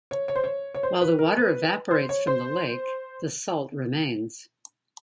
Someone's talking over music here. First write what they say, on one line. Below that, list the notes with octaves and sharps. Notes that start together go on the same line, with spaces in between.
While the water evaporates from the lake, the salt remains.
C#5
C#5
C5
C#5
C#5
C5
B4
A#4
B4
C5
C#5
C5